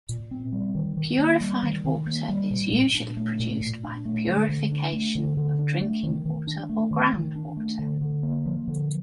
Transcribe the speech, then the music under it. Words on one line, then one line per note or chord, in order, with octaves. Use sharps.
Purified water is usually produced by the purification of drinking water or ground water.
A#2
C4
G3
D#3
D#3
A#3
G3
D#3
D#3
A#3
G3
A#2
A#2
D4
A3
A#2
A#2
D4
A3
D3
D3
D4
A3
D3
D3
D4
A3
D#3
D#3
D4
A3
D#3
D#3
D4
A3
D3
D3
A#3
F3
D3